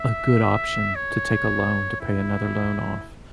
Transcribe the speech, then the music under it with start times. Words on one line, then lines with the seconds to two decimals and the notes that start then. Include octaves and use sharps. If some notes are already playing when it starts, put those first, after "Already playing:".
a good option to take a loan, to pay another loan off.
Already playing: E5
0.95 C#5
2.01 E4